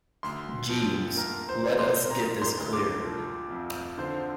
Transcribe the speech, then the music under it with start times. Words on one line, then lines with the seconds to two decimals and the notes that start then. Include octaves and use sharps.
Jeeves, let us get this clear.
0.23 D2 C6
0.69 F3
1.16 A#3 A#4
1.49 C5
1.63 A#3
1.79 C6
2.10 A#3 A#5
2.42 C6
2.58 D2
2.73 D6
3.05 F3
3.51 F2
3.98 D3 C5